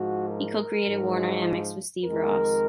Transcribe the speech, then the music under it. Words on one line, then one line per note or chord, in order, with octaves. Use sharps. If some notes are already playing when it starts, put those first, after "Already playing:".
He co-created Warner-Amex with Steve Ross.
Already playing: G#2 F3 G#3 F#4
A#4
G#2 F3 G#3
F2 D#3 G#3 A#4